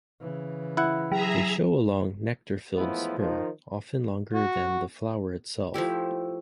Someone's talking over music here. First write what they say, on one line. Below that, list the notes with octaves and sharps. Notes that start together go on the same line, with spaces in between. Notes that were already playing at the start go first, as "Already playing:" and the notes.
They show a long, nectar-filled spur, often longer than the flower itself.
C#3 E3
E4 F#5
F#3 G#4 E5 A#5
A2 E3 F3 G#3 B3 E4
D#3 F3
F#4
F3 A3 E4 G4